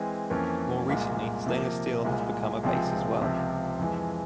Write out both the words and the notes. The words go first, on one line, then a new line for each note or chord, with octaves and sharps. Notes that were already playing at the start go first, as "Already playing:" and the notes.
More recently stainless steel has become a base as well.
Already playing: E3 G#3 C4
F2 E3 A#3 C#4
C2 A#2 G#3
C3 F3 A#3
C2 A#2 G#3
C#2 C3 F3 G#3 C4
C#2 C3 F3 C4
F2 E3 G#3